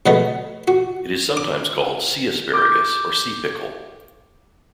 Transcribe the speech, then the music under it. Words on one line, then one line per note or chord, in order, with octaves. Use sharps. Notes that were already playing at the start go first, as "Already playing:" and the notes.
It is sometimes called sea asparagus or sea pickle.
B2 F#3 G#3 A3 B3
F#4
D6
D6 G6